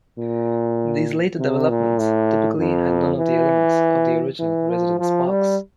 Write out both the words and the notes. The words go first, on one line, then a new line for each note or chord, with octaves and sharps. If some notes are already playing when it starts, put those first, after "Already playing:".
These later developments typically had none of the elements of the original Residence Parks.
A#2
C3
A#2
A2
F2
E3
E3
F3
F3
G3